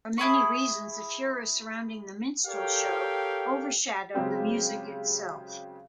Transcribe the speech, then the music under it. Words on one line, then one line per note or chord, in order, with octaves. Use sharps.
For many reasons, the furor surrounding "The Minstrel Show" overshadowed the music itself.
E4 G#4 B5 C#6
G4 A4 A#4 C#5 F5 G5
C#3 F#3 G#3 C4 G4